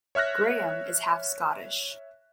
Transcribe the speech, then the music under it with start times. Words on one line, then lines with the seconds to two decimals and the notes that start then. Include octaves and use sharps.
Graeme is half Scottish.
0.15 C#5 E5 F6 F#6 A#6